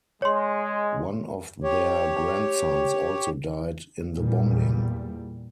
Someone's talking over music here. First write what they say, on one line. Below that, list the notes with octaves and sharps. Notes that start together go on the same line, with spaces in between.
One of their grandsons also died in the bombing.
G#3 C#5 C6
G4 C#5
E2 A#2 G3